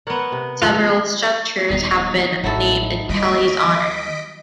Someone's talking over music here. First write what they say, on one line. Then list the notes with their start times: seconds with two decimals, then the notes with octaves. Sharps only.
Several structures have been named in Kelley's honor.
0.07 B3 A#4 C#5 D5 F#5
0.32 C3
0.62 A3 F4 G#4 A4 A5 F#6
1.70 D#1 B3 D#4
2.44 A1 F#3 E4 A4
3.09 D#2 G3 D#5 B6 D7